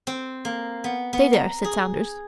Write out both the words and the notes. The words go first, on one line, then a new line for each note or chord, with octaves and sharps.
"Stay there," said Saunders.
C4
A#3
B3
B3
A#5
G#4